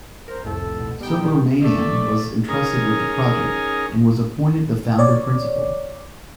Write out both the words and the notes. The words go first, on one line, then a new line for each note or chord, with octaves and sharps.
Subhramanyam was entrusted with the project and was appointed the founder principal.
A#4 C5
C2 F2 A2 A4
B2
B2 G3 D#4 G5
A3 D5
C#4 D#4 G#4 A#4
C#5 D5